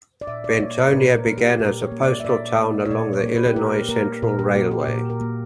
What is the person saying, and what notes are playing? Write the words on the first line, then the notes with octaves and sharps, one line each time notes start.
Bentonia began as a postal town along the Illinois Central Railway.
D5
A#2 E5
D5
A#3 C#5
C#5
A#4
A#2 B4
A#4
A#3
G4
A#2 A#4
C#5
A#3
D5
E5
A#2 D5
A#3
C#5
A#2 D5
C#5
A#3 C#5
B4
G4
A#2 A#4
A#3 A#4
A#2 A#4
G4
A#3 F#4
G4
A#2 A#4
A#4
A#3